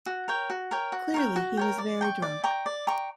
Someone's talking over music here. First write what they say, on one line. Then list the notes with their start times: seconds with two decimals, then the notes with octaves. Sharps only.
Clearly he was very drunk.
0.06 F#4
0.28 A#4 C#5 G5
0.50 F#4
0.71 A#4 C#5 G5
0.92 F#4
1.14 A#4 C#5 G5
1.36 F#4
1.57 A#4 C#5 G5
1.78 D5
2.01 G5 A#5 C#6
2.22 D5
2.44 G5 A#5 C#6
2.66 D5
2.87 G5 A#5 C#6